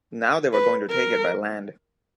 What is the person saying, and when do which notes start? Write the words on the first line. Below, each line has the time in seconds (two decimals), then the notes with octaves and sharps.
Now they were going to take it by land.
0.53 B4
0.90 A#4